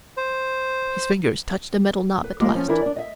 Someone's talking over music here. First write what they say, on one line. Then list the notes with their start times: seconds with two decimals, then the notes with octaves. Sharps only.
His fingers touched the metal knob at last.
0.17 C5
2.24 B4
2.40 G#3 A#3 B3 F4 G4
2.55 F3 C#4
2.68 E3 D4 E4 A#4 C5
2.81 D4 D5
2.96 D#5 E5